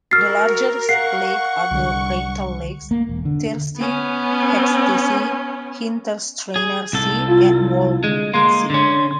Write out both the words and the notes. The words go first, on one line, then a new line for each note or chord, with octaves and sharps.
The largest lakes are the Reintal lakes, Thiersee, Hechtsee, Hintersteiner See and Walchsee.
F#4 A#4 E6 F6 A6 C7
F5 F#5 C#6 C7
C2 D3 G3
A#3
E1
D3
B3 C#4
G#4
C2 A4
F4
D3 G#3
G#3 A#3 C6
D3 C#4 C6